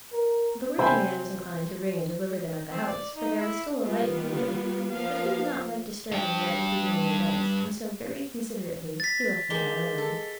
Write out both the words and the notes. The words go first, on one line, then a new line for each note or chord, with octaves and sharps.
The worthy man was inclined to ring and deliver them at the house, for there was still a light in the window; but he did not like disturbing the other people in their beds, and so very considerately he left the matter alone.
A#4
C3 C5 E5 G5 G#5 B5
C4
D5
D#4
E4
G3 A#3 B3 F4
F3 A#3 B3 F5
G2 G5
A6 B6
G#3 A#3 G4 G7
A4